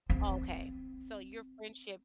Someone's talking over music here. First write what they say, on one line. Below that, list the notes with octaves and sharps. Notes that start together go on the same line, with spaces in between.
Oh, okay. So, your friendship
C4